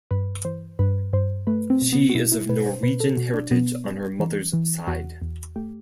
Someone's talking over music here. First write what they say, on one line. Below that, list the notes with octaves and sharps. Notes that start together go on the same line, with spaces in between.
She is of Norwegian heritage on her mother's side.
G2 B4
E3 C5
G2 B4
G2 C5
A3 B4
C4
B2
B3
F#4
B2 E4
E4
B2 B4
C5
B2 B4
A4
B2 F#4
D4
B2 B3
G3
E3
E3
E2 F#4
E2
A3 G4